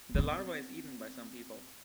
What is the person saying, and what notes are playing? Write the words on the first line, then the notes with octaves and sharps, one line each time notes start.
This larva is eaten by some people.
B3 C4